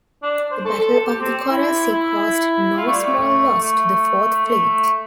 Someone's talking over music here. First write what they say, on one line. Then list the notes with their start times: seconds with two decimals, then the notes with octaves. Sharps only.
The Battle of the Coral Sea caused no small loss to the Fourth Fleet.
0.23 D4
0.51 C5
0.65 A4
0.80 A4
0.93 A4
1.07 G4
1.21 C4
1.50 E4
1.92 E4
2.77 F4
2.87 A3
2.90 G3
3.05 A3
3.18 A3
3.61 A3
4.45 A3